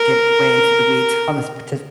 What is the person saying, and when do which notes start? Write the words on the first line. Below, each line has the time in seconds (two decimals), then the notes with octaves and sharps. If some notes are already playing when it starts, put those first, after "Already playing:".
get way into the weeds on the spetif
Already playing: A#4